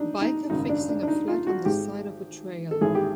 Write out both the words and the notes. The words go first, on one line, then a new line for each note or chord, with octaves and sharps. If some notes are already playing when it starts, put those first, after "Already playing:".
Biker fixing a flat on the side of a trail.
Already playing: D4 D#4
D#4
G#1 F#2 C#3 D#4
D4
D4
D4
D#4
F4
F#4
G#1 G#2 D#3 G#3 G4
A4
G#1 G#2 E3 G#4
G4